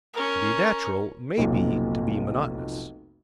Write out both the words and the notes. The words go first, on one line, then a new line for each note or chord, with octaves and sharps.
To be natural may be to be monotonous.
C#4 A#4
F1 B1 A#2